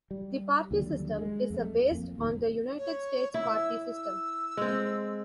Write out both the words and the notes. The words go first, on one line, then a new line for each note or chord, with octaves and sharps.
The party system is a based on the United States party system.
G3
D#2 D3 F#3 G3
G#3
F2 A3
F2 A#3
D#1 D#2
C#5
E4 E6
E6
G#3 C4